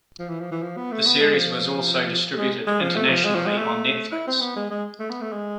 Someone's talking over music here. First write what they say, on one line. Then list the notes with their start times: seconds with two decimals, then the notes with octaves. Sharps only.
The series was also distributed internationally on Netflix.
0.19 F3
0.29 E3
0.40 F3
0.52 E3
0.62 F3
0.77 B3
0.92 A3
1.06 B3
1.21 G#3
1.35 F3
2.37 G#3
2.67 G#3
2.81 F3
2.96 A3
3.10 F3
3.25 G#3
3.35 F3
3.47 G#3
3.58 A3
4.12 E4
4.27 C4
4.41 B3
4.56 G#3
4.70 G#3
5.00 A3
5.10 B3
5.22 A3
5.32 G#3